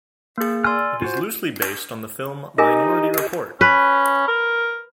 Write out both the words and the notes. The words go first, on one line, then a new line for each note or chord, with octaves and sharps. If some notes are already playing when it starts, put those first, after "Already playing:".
It is loosely based on the film "Minority Report".
A#3 G#4
D5 G#5 C6 E6 F6
F4 F#4 C5
D#4 G4 A#4 D#5 G#5
C#4 B4
A#4